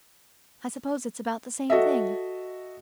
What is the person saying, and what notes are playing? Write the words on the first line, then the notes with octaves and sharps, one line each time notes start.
I suppose it's about the same thing.
F#4 A4 D#5 E5